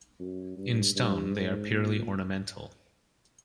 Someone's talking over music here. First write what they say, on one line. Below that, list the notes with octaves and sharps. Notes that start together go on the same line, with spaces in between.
In stone they are purely ornamental.
F#2
G2
G2
G#2
A#2